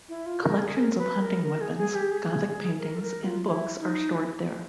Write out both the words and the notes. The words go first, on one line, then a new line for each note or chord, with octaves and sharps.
Collections of hunting weapons, Gothic paintings and books are stored there.
E4
F4
A#4
G#4
A#4
A#4
B4
A#4
A#4
G#4
G#4
G4
G#4
A#4
A4
A#4
F4
E4
D#4